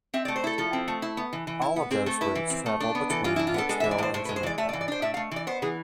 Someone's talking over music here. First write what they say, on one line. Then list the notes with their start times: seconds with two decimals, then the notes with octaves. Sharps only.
All of those routes travel between Hicksville and Jamaica.
0.14 C4 E5
0.25 D5
0.28 A3
0.36 C5
0.44 E4 A4
0.58 F3 A4
0.73 C4
0.88 A3
1.02 E4
1.17 B3
1.33 E3
1.47 E3
1.62 E4
1.76 B3
1.91 C4 G#4
2.06 A3 A4
2.21 E4 B4
2.35 E3
2.50 C4
2.66 A3
2.80 D4 A4
2.95 B3
3.10 E3 A4
3.24 E3 F4
3.36 E4
3.39 D4
3.47 F4
3.54 B3 A4
3.69 G#3 A4
3.80 E5
3.84 E3
3.91 D5
3.98 A2 C5
4.14 A2 C5
4.25 B4
4.29 G#3
4.36 C5
4.43 E3 D5
4.58 A3 E5
4.69 D5
4.73 E3
4.81 D5
4.88 D4 C5
5.02 A2 E5
5.14 F5
5.17 A3
5.31 E3 D5
5.47 B3 C5
5.62 E3 G#4